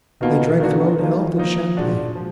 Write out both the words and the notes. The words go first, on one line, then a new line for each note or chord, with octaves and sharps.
They drank their own health in champagne.
B2 D#3 A#3 F4
D3 D#3 A#3 D4 F#4
D#3 F3 A#3 F4
D#3 F3 A#3 D#4
A#2 G#3 D4 F#4
F3